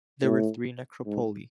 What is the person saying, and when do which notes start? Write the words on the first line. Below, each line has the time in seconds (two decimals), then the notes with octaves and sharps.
There were three necropoli.
0.23 A2
1.06 G#2